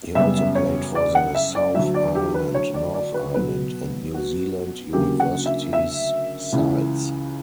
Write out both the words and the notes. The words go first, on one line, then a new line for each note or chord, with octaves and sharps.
He also played for the South Island, North Island, and New Zealand Universities sides.
F#2 C#3 G3 B3 E5
C#5
D5
F#5
E5
D5
D2 D3 F#3 E5
D5
G4
B4
C#5
D5
D5
B4
B2 F#3 B3 B4
F#4
D2 C#3 F#3 A#3 G4
F#5
E5
E5
C#2 C#3 E3